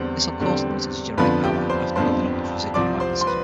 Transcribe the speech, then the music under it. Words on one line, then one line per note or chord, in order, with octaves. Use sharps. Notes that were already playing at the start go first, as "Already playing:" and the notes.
This will cause the motor to generate power after building up its residual magnetism.
Already playing: E2 D3 G3 C4 C5
E2 D3 G3 C4
G1 F2 D3 F3 B3 B4 B5
G4 G5
C5 C6
G1 F2 D3 F3 B3 C5 C6
C2 C3 F3 C4 D5 D6
C5 C6
C6
B4 B5